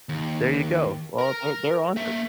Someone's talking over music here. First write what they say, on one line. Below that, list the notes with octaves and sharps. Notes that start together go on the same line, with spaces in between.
There you go. Well, they're they're on it.
D#2
A#4 A#5
A#3 E5